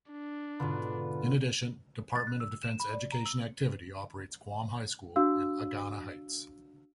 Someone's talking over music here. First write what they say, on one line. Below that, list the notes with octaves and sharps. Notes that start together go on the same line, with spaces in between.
In addition, Department of Defense Education Activity operates Guam High School in Agana Heights.
D4
G#2 B2 D3 B3 F4
A6
F#6
E6
E7
B5
D5
A#5
E6
D4 F#4 F5 E6